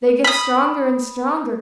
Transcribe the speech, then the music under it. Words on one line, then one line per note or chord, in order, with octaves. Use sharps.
They get stronger and stronger.
B5 D#6